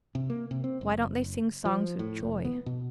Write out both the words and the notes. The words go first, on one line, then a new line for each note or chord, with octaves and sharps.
Why don't they sing songs of joy?
C3
A#3
C3
C4
F#1
F3
A2
F1
B3
B2